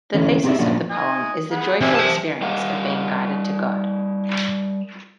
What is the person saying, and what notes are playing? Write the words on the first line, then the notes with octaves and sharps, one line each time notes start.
The thesis of the poem is the joyful experience of being guided to God.
D2 E3 A3 C#4
C4 G4 G#4 B4 D5 E5
A#2 F3 A#3 C#4 D4 F#4
D#4 D#5 G#5
G#4 F#5 B5
C3 C4 D#4 E5 G#5
C5 A5
G3 A#4 D#5 F5 F#5